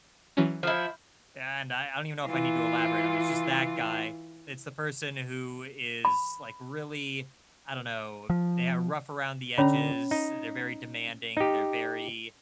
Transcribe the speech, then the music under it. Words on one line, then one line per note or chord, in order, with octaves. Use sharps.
And I I don't even know if I need to elaborate on it. It's just that guy. It's the person who is, like, really, I don't know, they're rough around the edges. They're very demanding. They're very,
E3 F#3 C#4
F3 E4
E3 F4
B5
F3
D3 C#4 C#5 A#5 B5
D#4
D#4 G4